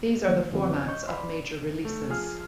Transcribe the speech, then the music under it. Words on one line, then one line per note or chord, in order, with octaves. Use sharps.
These are the formats of major releases.
D#3 F3 F#3 A3 A#3
F#2 D3 F3 B3 C4
D#5 C#6 G6
D5 B5 C6
A3
F3 G#4 F6